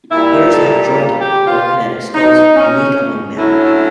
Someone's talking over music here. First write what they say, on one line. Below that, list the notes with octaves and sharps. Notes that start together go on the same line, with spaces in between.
Hares have jointed, or kinetic, skulls, unique among mammals.
A#2 G3 A#3 E4
D#4
A4
G4
F4
D#4
C#4
D3 F#3 A3 C#4 E4
E4